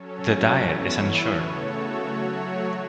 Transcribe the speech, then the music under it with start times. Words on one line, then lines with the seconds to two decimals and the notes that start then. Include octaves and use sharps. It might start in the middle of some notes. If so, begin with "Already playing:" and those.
The diet is unsure.
Already playing: F#3 C#4 A4 C#5
0.59 E3 B3 E4 C#5
1.29 C#3 A3 F#4 A4 C#5
1.98 F#3 A3 F#4 C#5